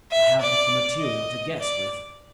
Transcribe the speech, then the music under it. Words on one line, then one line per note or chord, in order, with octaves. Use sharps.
I haven't the material to guess with.
E5
D5
D#5
D5